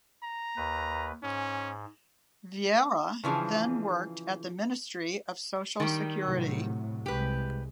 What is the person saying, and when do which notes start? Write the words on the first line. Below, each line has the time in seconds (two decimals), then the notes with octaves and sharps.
Vieira then worked at the Ministry of Social Security.
0.22 A#5
0.57 D#2 B4
1.23 G#2 C#4
3.24 C#3 E3 F3 D4 G#4
5.80 D#3 G3
6.26 A2 C3 F#3
7.06 C2 G#3 G4 B4